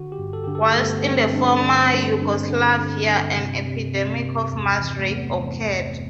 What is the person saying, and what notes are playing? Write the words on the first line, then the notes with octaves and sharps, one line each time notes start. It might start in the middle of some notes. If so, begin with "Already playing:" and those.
Whilst in the former Yugoslavia an epidemic of mass rape occurred.
Already playing: D3 F#4
G4
G2
A4
D3 G4
A4
A3
G2 B3
G2 C4
C4
G2 D4
D4
D3 C4
G2
G2
D3
D3
G2
C3
C3
C3
C3
E2
E3
A3
E2 B3
E3
E2